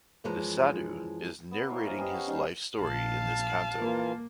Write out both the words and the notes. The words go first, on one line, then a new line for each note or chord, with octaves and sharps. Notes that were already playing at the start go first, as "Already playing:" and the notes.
The sadhu is narrating his life story in this canto.
F#2 E3 F3 G#3 A#5
B3
E3 A#3 C5 C#5
B4 D#5 F5 G#5
C#4 G4 G#4 D#5
C#5 F#5
G3 C#4 D#4 C5
A#1 F5 A5
E3 A#3 F4 A#4